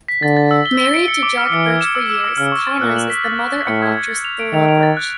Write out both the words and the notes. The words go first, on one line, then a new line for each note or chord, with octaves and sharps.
Married to Jack Birch for years, Connors is the mother of actress Thora Birch.
B6
D3 A6
A6
E6
G7
G7
D7
C#7
D6
F6
E3 C#7
G#6
E7
E6
E6
E6
C#3 F6
C#6
A6
A#2 F#6
F#7
B6
A6
F6
A6
A2 C#7
G#6
G#6
A6
F7
D7
D#3 F7
F7
A6
F#6